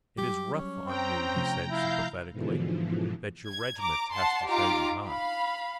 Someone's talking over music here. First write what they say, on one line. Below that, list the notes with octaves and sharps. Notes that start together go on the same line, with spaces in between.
"It is rough on you," he said sympathetically, "that your regiment has to stay behind."
F#3 G3 G4
C#4
C4 G5 A#5
C3 F3 A3
E4 F5 A#5 G6
G#2 B2 D3 E3 F3
G#6
A#5 D6
F#5 A5 C6
D#4 F4 G4 A#5 D6
F5 B5